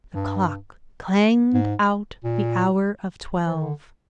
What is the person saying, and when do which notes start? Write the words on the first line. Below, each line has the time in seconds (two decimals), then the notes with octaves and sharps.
The clock clanged out the hour of twelve.
0.15 G2
1.54 G#2
2.24 A#2
3.46 F3
3.54 D#3
3.62 D3